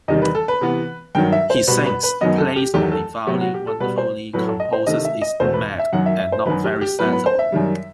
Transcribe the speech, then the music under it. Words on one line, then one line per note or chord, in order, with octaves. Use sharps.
He sings, plays on the violin wonderfully, composes, is mad, and not very sensible.
E2 C3 D#3 G3 D#5
B4
A4
B4
C3 E3 B3
G2 D#3 F#3 G5
E5
C5
B2 G3 B3 B4
B4
B4
F#2 D#3 F#3 B3 D#5
A4
G4
E2 D#3 F#3 A3 G4
A4
C3 F#3 B3 G4
F#4
G4
A4
B2 G3 B3 B4
C5
A2 F#3 A3 B4
A4
D#5
C5
C3 D#3 A3 D#5
E5
D#5
E2 B2 A3 C5
B4
E5
F#2 D#3 F#3 F#5
E5
E5
C5
F#2 D#3 F#3 B4
G4
G4
A2 F#3 B3 B4
B4
C5
E5
F#2 D#3 G3